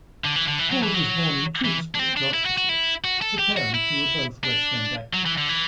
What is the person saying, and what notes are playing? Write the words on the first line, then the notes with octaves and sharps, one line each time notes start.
Ford was born in Tewkesbury, Gloucestershire to parents who were both West End actors.
D3
E3
D3
E3
F#3
E3
F#3
E3
D4
C4
D4
E4
F#4
F#4
E4
F#4
A4
G4
F#4
E4
D4
F#3
E3
D3
E3